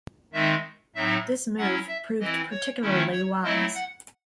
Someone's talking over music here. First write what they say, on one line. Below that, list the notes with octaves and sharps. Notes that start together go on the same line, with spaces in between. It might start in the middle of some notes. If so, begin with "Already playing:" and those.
This move proved particularly wise.
D#3 G#3 C4 D#4 E5
A2 F#3 C4 D#4 E5
F#3 C#4 E4 F#5
E5
E3 C4 E4 D#5
C#5
D#3 A3 C#4 E4
C#5
F#3 A3 C4 E4 D#5
F#5